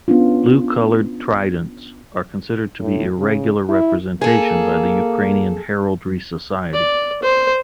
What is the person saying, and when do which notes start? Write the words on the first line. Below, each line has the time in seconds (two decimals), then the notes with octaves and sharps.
Blue colored tridents are considered to be irregular representation by the Ukrainian Heraldry Society.
0.08 B3 C#4 D4 F4
2.80 A2
3.18 C#3
3.69 E4
4.22 A#3 G#4 A4
6.74 D5
7.22 C5